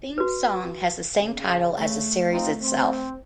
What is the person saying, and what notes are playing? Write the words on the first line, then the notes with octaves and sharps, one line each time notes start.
Theme song has the same title as the series itself.
F#4 B4
C#3
A3
C4 D#4 F4
C4